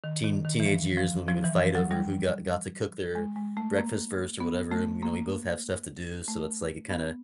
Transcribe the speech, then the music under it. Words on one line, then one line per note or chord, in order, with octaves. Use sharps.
teen teenage years when we would fight over who got got to cook their breakfast first or whatever, and, you know, we both have stuff to do, so it's like it kinda
D#3
D#3
D#3
E3
F3
F3
F3
E3
F3
F#3
G3
G#3
G#3
A3
A#3
B3
A3
A#3
A3
B3